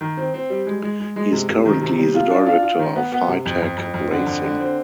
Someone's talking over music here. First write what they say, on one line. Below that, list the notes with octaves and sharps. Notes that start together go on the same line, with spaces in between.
He is currently the director of Hitech Racing.
D#3
C4
C4
G3
G#3
G#3
G#3
G#3
C3
C3
D#3
C3
G3
F4
D4
F4
F4
D#3
B3
B3
C3
F2
F2
F2
F2
D3
F2
D3
C4